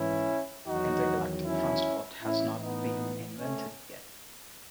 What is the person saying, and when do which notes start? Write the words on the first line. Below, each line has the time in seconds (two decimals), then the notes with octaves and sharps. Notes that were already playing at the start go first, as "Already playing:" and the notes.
Intergalactic transport has not been invented yet.
Already playing: G#2 E3 C#4 E4
0.67 E2 D#3 F#3 D#4 F#4
1.45 C#4 E4
2.21 A2 E3 C#4 E4
2.61 B3 D#4
3.39 A3 C#4